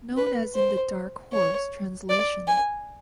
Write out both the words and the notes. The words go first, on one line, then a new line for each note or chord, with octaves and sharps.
Known as in the Dark Horse translation.
B4
C5
C#5
D5
G#5